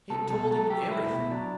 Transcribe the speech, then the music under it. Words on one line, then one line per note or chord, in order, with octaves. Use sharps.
He told him everything.
C2 A4
B2 A4
F#3 A4
A3 G4
C2 E4
B2
F#3 D4